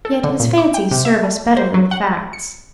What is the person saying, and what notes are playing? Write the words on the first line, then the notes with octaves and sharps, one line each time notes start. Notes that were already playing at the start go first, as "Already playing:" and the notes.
Yet his fancies serve us better than the facts.
A4
D3
A#2
D6
G5
C3
E5
A3
C5
F#3
F#5
C#7